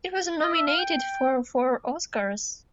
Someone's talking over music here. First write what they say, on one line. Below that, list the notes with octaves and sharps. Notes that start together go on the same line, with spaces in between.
It was nominated for four Oscars.
D#5
E5
F5
G5